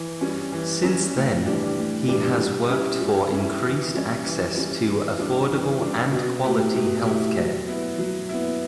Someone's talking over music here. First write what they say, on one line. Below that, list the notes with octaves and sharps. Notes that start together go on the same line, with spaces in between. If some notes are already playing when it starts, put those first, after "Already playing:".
Since then, he has worked for increased access to affordable and quality health care.
Already playing: E3
G3 C#4
E3
G3 C#4
A2
E3 G3 D4 G4
A2
E3 G3 D4 G4
G3
C#4 E4 G4
G3
C#4 E4 G4
E3
G3 C#4
E3
G3 C#4
E3
G3 D4
E3
G3 D4
B2
A3 E4 G4
B2
A3 E4 G4
F#3
B3 E4
F#3
B3 E4